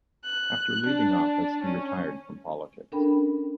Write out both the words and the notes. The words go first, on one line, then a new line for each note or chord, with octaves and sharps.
After leaving office, he retired from politics.
F#6
D4
C#4
C#4 D4 A4 A#4 G5 B5